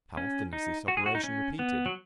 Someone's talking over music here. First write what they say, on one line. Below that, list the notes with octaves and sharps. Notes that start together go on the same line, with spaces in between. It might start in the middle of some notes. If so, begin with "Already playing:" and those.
How often is this operation repeated?
C#4
D#4
F#4
G#4
F#4
D#4
C#4
B3
F#3